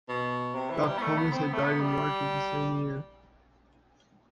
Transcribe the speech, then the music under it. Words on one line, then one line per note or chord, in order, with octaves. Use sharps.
Doc Pomus had died in March of the same year.
B2
C3
E3
G3
B3
A3
B3
C4
B3
A3
B3
G3